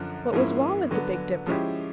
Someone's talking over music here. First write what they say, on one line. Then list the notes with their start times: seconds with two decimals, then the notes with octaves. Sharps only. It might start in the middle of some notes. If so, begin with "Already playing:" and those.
What was wrong at the Big Dipper?
Already playing: F#2 D3 F3
0.33 G#2 F3 A#3 C#4 E4
0.91 D3 F#3 B3
1.47 F3 G#3 C#4 E4 G4